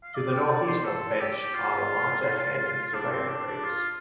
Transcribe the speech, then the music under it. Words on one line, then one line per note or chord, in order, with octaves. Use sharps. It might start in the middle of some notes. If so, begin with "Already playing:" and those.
To the northeast of Bench are the larger Head and Surveyor craters.
F5
D5
G5
D5
C5
A4
G4
F4
D4
C4
D4
D4
F4